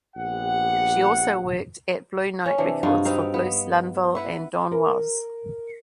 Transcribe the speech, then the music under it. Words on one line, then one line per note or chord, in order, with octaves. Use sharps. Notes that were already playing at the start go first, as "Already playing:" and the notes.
She also worked at Blue Note Records for Bruce Lundvall and Don Was.
A#1 B3 G4 F#5
C#4
C3 E3 D4
G2 D#4 F4 F#4
B3 C4 D#4 F5
B3
E4 B4 F#5
A#4